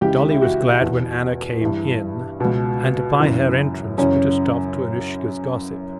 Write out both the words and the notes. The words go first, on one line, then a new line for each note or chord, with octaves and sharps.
Dolly was glad when Anna came in, and by her entrance put a stop to Annushka's gossip.
C#2 C#3 E3 G4
E4
F#4
E2 B2
G2 E3
C#2 B2
F#2 C#3 E3
F#2 C#3 E3 C#4